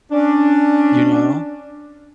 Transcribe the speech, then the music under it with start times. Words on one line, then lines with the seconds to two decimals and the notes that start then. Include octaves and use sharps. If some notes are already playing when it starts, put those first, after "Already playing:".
you know?
0.11 C#4 D4